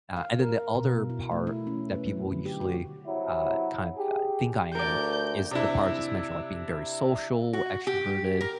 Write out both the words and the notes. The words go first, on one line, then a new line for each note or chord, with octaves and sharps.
Uh, and then the other part that people usually, uh, kind of, uh, think I am, is the part I just mentioned, like, being very social, extroverted,
F5
A#4
B2
E4
A3
E4
C#4
B4
F#3
D3
G4
F#4
C3 F#3 E4
G4 G#4
D2 A#4 D5 G6
C3 D4 E4
F#4
G4
A#4